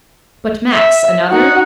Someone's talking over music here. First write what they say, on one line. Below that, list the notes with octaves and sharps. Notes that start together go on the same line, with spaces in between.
'But, Max, another?
E5
D#4 F#4